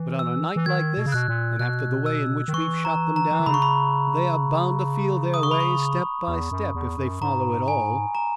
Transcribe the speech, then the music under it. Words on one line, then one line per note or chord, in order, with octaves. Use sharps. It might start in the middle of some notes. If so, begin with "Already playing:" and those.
But on a night like this, and after the way in which we have shot them down, they are bound to feel their way step by step if they follow at all.
Already playing: E3
E6
E3
D#3 G#6
B2
C#3
B2 F#6
A#2
B2 F#6
E6
D#3
E3 C#6
A#5
A#5
E3
D#3
C#3 B5
C#6
B5
D#6
C#6
B5
C#6
E2
F#2
E2
F#2
G#2 A#5
G#5
A#5